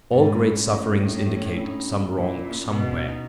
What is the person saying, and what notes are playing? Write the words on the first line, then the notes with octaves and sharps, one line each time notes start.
All great sufferings indicate some wrong somewhere.
G#2 B3
C#4
A2
D#4
D4
C#4
E4
D#4
E4
A#2 E4
B2
D#4